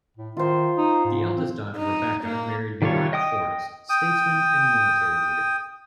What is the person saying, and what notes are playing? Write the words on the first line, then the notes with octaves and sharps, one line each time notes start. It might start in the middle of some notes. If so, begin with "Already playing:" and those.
The eldest daughter, Rebecca married Uriah Forrest, statesman and military leader.
A2
D#3 F4 C5
D#4
G#2
C4
D#4
A#3
D#3 G3 F4 A4 C#5
D#5 G5 D#6
G5 D#6